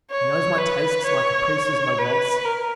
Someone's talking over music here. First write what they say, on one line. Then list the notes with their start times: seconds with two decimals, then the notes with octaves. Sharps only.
He knows my tastes, my caprices, my wants.
0.11 C#5
0.58 B4
1.05 C#5
1.99 B4
2.44 A#4